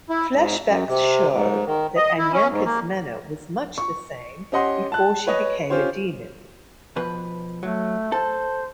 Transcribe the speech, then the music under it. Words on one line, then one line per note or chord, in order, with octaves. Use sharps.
Flashbacks show that Anyanka's manner was much the same before she became a demon.
E4
G#2
F#2
C3
G#2
D#3
D#5
E4
C#4
G#2
A#3
C#6
C#4 G4 D#5 F#5 C6
A5 F#6
B4 C#5 D#5
C#4 F4 G4 C5 C#5
B2 F3 B4
F#3 A3
A4 C5